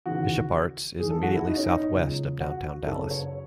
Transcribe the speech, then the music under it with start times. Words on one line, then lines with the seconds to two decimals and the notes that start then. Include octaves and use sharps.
Bishop Arts is immediately southwest of Downtown Dallas.
0.06 D#2 C#3 E3 F#4
0.99 G#2 E3 G#4
1.10 A4
1.18 G#4
1.23 F#4
1.35 E4
1.46 D#4
1.57 C#4
1.67 D#4
1.93 C#2 C#3 F#3
2.40 F#4
2.86 F#2 C#3 F#3 A4
3.10 C#5